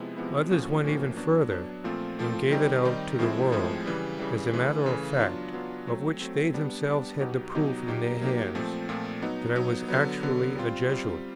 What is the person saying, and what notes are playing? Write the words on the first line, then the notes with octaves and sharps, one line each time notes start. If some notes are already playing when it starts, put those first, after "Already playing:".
Others went even further, and gave it out to the world, as a matter of fact, of which they themselves had the proof in their hands, that I was actually a Jesuit.
Already playing: C3 F3 G#3 B3 E4
C3 F3 G#3 B3 E4
A2 F3 A#3 C#4 F#4
A2 F3 A#3 C#4 F#4
F#3 B3 D4
F#3 B3 D4
A#2 F3 A3 C4 F4
A#2 F3 A3 C4 F4
D#3 G3 C4 D#4 G4
D#3 G3 C4 D#4 G4
A2 F3 G#3 C4 E4
A2 F3 G#3 C4 E4
C#3 E3 G3
C#3 E3 G3
C#3 E3 A3
C#3 E3 A3
F#3 B3 D4 F4
F#3 B3 D4 F4
F#3 A3 C4
F#3 A3 C4
G3 B3 D4
G3 B3 D4
B2 F#3 B3 D#4 G4
B2 F#3 B3 D#4 G4
F#3 A#3 D#4 G4
F#3 A#3 D#4 G4
A#2 F3 A3 C4
A#2 F3 A3 C4
F#3 B3 D#4
F#3 B3 D#4
D3 F#3 B3
D3 F#3 B3
G3 C4 F4
G3 C4 F4